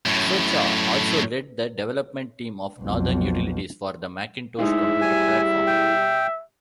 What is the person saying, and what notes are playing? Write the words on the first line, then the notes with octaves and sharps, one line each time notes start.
Socha also led the development team of Norton Utilities for the Macintosh computer platform.
F#2 A2
B1 F2
G#3 D#4 E4 G#4 C5 E5
G3 G#5
G5